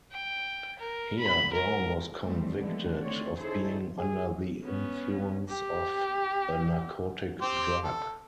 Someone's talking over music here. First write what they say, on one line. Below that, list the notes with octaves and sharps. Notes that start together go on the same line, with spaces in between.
Here, "Brown was convicted of being 'under the influence of" a narcotic drug.
G5
A#4
B5
A#4
G3 A3 C4
D3 E3 F3 G#3 A3 B3
D#3 A3 C4 C#5 D5
C#4 D#4 E4 G#4 A4 C5
G#4
B3 C#4
G4
C4 G4 C5
A4